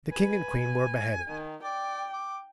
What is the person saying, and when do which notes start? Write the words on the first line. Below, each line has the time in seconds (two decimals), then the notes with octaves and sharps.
The king and queen were beheaded.
0.12 B4 G#5
1.28 D#3
1.63 D5 G5
2.13 D6